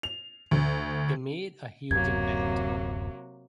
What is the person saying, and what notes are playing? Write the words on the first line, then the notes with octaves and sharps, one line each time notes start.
They made a huge impact.
F7
D2
D1 F#2 C3 F#3 A#3 G#6